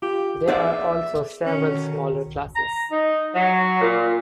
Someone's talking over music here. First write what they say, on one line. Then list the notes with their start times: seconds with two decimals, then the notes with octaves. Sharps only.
There are also several smaller classes.
0.02 F4 G4
0.48 B3 D#4 G#4 C5 D5 E5 F#5
1.46 B2 D3 D#3 C#4
2.55 A#5
2.91 D#4
3.35 F#3
3.80 A#2